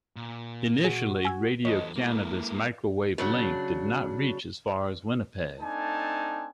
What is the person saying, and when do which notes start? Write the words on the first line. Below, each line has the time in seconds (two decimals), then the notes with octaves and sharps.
Initially, Radio-Canada's microwave link did not reach as far as Winnipeg.
0.16 A#2
0.84 F#4 G#4
1.25 G#5 E6 G#6
1.65 E2 A4 C#5 D#5
1.96 G#3 A#3 E4
3.18 C#3 F#3 D4
5.61 A3 C4 D4 D#4 G#5 A5